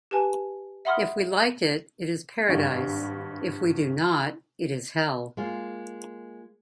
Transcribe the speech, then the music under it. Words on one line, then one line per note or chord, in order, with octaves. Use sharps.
If we like it, it is paradise; if we do not, it is hell.
G4 B4 G#5 A5
E5 F#5 B5 C6 D#6 F6
G#1 G2
G#3 A#3 F4